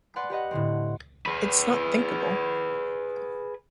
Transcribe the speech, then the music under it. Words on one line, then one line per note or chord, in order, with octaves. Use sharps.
It's not thinkable.
B4 D5 F#5 G#5 C6
G4 B4 D#5 F#5
A2 D3 C4
G#4 B4